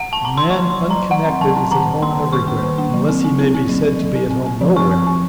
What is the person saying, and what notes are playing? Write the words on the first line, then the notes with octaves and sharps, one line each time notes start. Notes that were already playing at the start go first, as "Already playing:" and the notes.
A man unconnected is at home every where; unless he may be said to be at home no where.
F#5
A5
A#5
C6
F#3 C#6
F#3
C6
F#3
A#5
F#3
F#3 F#5
C4
F#3 A5
C4
D#3 A#5
D#3
A#3 C6
D#3
D#3 C#6
A#3
D#3
A#3
F#3
C4
C4
C4
C4
F#3
F#3
F#3
C4
C4
C4
F3
C4 C#6
C4
C4